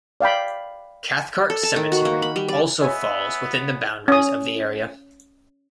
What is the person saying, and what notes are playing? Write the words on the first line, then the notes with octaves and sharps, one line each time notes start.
Cathcart Cemetery also falls within the boundaries of the area.
D5 F5 G5 B5
A4
A5
D#3
F#4
A#3
B5
G3
D5
B3 C#5 D#5 E5 G#5
C#4 D#6